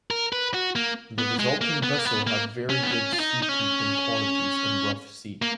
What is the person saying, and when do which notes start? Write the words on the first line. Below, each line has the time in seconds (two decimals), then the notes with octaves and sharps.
The resulting vessel had very good seakeeping qualities in rough sea.
0.11 A#4
0.32 B4
0.54 F#4
0.76 A#3
1.18 B3
1.39 G#3
1.61 A#3
1.83 B3
1.99 A#3
2.05 B3
2.27 A#3
2.70 C#4
2.83 B3
2.91 C#4
3.12 F4
3.20 D#4
3.42 D#4
3.49 C#4
5.42 A#3